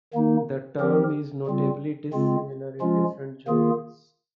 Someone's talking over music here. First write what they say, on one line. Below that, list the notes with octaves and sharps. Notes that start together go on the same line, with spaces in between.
The term is notably dissimilar in different genres.
D#3 A#3 D#4
F3 C4 G4 A#4
C#3 G3 C4 F4
C#3 G#3 C4 F4
F3 G#3 C#4 F4
D#3 A#3 F4 G#4